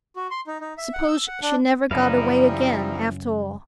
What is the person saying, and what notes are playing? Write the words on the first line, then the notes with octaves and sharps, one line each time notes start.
Suppose she never got away again, after all?
F#4
C6
D#4
D#4
E5
F#5
E6
F#5
D4
F#2 C#3 E3 F3 G3 D#4 E4 F5